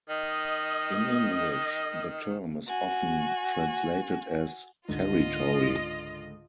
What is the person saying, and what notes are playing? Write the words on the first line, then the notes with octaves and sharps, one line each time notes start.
In English the term is often translated as "territory".
D#3 D#5
F#4 G#5
C#2 G#2 D3 F4 D#5